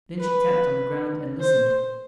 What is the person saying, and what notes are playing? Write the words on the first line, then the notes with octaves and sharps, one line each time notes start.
Then she tapped on the ground and listened.
B4
C5